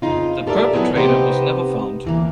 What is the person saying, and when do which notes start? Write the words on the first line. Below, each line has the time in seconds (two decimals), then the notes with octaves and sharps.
The perpetrator was never found.
0.02 F2 C#3 D#4 F4
0.47 G4 A4 A#4 C5 D5 E5
0.73 F3 F#3 B3 C#4 E4 G#4
0.95 C3 B3 C4 D#4 G4 C5
2.05 D2 E3 A#3